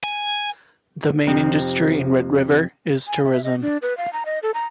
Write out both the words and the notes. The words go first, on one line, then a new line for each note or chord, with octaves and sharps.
The main industry in Red River is tourism.
G#5
F2 C3 D#4 G6
G#5
E5
D#5
D4
B4
F5
A#5
D#5
A4
A#5